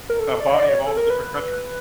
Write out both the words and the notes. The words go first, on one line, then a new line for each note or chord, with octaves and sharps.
a body of all the different countries.
A#4
A4
D5
C#5
D#5
D5
C#5
A4
A#4
B4